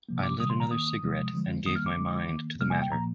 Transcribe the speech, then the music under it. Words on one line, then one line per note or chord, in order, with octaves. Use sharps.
I lit another cigarette and gave my mind to the matter.
C3 F3 A#3
D6
C3 D#3 G3 D#6
C6
A#5
D#3 A#3 D#6
C3 F3 G#3
D3 F3 G#3
D#3 G3 A#3 D#6
F6
D6
D3 G#3
D#3 A#3
C3 G3 A#3 F6
G#5
G5
A#2 F3 A#3 A#5